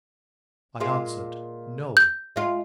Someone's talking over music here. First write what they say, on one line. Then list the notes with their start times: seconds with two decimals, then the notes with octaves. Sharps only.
I answered, No.
0.80 A#2 G#3 F4
1.97 G6
2.36 G#3 F4